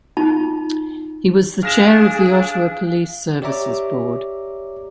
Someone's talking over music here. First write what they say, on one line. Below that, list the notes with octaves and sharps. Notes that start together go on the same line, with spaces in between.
He was the chair of the Ottawa Police Services Board.
D#4 F4 A5
D4 G#4 F5 F6 A#6 E7
G4 C#5 D5 E5 A#5 D6